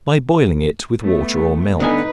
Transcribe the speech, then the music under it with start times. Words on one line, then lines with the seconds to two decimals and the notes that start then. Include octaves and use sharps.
By boiling it with water or milk.
1.02 A3 B3
1.80 D3 B3 D#4 B4 G#5